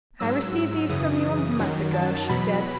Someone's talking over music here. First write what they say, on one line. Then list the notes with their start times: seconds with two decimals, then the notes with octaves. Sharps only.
"I received these from you a month ago," she said.
0.20 G#2 F#3 E6
0.89 F#2 C#3 E3 D#6
1.59 F#2 D#3 F#3
1.93 A5
2.29 E2 B2 F#3 B5